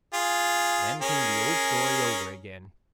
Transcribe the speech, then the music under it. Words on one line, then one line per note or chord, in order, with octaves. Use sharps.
Then came the old story over again.
F4 G#4
C#4 G#4 A#4